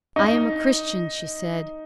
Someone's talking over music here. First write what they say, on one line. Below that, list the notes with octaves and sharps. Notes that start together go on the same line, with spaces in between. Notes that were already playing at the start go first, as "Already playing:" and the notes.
'I am a Christian,' she said.
D#4